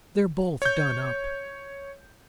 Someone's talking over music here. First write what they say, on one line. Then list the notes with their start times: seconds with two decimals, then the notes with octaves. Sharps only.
They're both done up.
0.62 C#5 G6